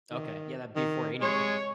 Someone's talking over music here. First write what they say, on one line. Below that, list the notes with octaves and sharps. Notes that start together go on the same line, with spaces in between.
Okay. Yeah, that'd be for anything.
D#3
D#3
C3 G#3 C#5